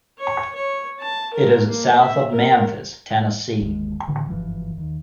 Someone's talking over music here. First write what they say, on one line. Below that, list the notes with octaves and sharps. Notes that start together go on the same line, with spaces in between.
It is south of Memphis, Tennessee.
C#5
C#5
A5
A#4
A#3
E5
A#4
G1 D#2 G#3
A1 D3 E3
F#1 G2 E3 F3
D#2